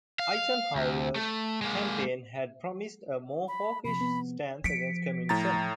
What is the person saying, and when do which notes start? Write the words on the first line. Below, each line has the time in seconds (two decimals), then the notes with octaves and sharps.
Eisenhower's campaign had promised a more hawkish stance against communism.
0.19 F5
0.75 D2
1.16 A3
1.62 G#3 A#3
3.48 B5
3.85 C3 F3 B5
4.01 B3
4.64 F3 B6 C#7 D7
5.29 A2 A#5 A6